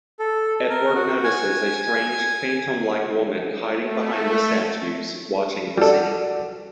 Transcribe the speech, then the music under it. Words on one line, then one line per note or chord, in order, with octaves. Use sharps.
Edward notices a strange phantom-like woman hiding behind the statues watching the scene.
A4
A#4
F#4
G#5
A3
G3 F#4 A4 D5